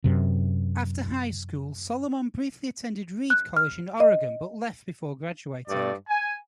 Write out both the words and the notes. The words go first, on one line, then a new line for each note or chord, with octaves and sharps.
After high school, Solomon briefly attended Reed College in Oregon but left before graduating.
F#2 C3
F#6
F6
D#5
G2 A3 D5
G#5